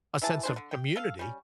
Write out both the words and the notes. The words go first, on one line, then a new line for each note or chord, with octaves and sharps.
a sense of community,
E3 E4 G#4 A5
D4 G#4 C5
D3
G5
A4 F5
G3 C#4